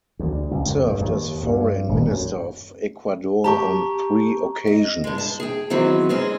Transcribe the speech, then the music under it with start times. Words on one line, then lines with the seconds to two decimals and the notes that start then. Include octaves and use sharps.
He served as Foreign Minister of Ecuador on three occasions.
0.19 D2
0.51 C#2
0.66 F2
0.87 G2
1.01 D#2
1.43 G2
1.89 D#1
2.07 F#2
3.44 G4 A5 A#5 C#6
4.67 D#5
5.04 G2 G#3
5.18 A5
5.40 G#4 G5
5.70 D#3 E3 F#3 B3 C4 G#4
6.09 G#3 C4 C#4 G#4